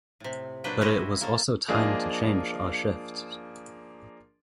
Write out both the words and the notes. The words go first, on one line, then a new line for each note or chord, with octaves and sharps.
But it was also time to change our shift.
A2 C3
A#2 F#3 D4 B4 G5
C#4 E4 F#4 G4 C5 D#5
A#3 A4
F3 A#3 D4 G#4 D#5